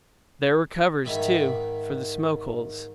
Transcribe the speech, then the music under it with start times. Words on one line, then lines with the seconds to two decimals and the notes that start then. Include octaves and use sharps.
There were covers, too, for the smoke-holes.
1.05 G#2 D#3 E5 B5